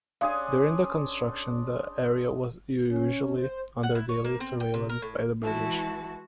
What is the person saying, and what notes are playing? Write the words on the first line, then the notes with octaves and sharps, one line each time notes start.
During the construction, the area was usually under daily surveillance by the British.
C#4 D4 G#4 F5 G#5 C6 D#6
C#4
C5
F#5
E4
C#5
A#3
C4
G5
C3
A#4
A2
E3 G#3 E4 F#4 A5